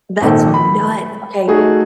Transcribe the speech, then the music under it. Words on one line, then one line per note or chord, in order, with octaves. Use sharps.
That's nuts, okay,
G#1 A#2 D#3 A4
B5
A3 D#4 F#4 G#4